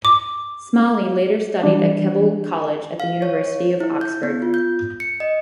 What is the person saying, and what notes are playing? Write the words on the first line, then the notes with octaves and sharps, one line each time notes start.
Smalley later studied at Keble College at the University of Oxford.
D6
E3 G3 D4
F5
C#5
E4
G6
B3
F4
G6
C#7
D#5